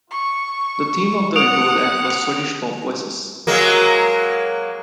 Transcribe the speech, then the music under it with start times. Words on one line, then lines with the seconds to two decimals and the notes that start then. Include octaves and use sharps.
The theme of the interval act was "Swedish Pop Voices".
0.11 C#6
1.36 F#5 D#6 D7 F7
3.47 F#3 G#3 A#3